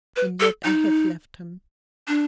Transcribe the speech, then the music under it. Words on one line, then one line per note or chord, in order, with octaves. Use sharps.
And yet I have left him.
B4
A4
D#4
D4